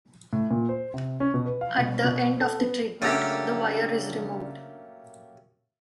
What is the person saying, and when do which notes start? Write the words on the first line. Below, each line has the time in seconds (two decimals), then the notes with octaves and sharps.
At the end of the treatment the wire is removed.
0.33 A2
0.51 A#2
0.69 C5
0.94 C3
1.20 C#4
1.34 B2
1.46 B4
1.61 F5
1.78 B2
2.04 B2
2.40 A4
2.59 B3
3.02 F#2 C#3 A3 A#3 D4 G4